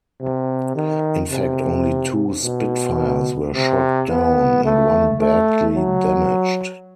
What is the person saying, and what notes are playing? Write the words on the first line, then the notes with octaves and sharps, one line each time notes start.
In fact, only two Spitfires were shot down and one badly damaged.
C3
D#3
C3
B2
C3
B3
A3
A3
F#3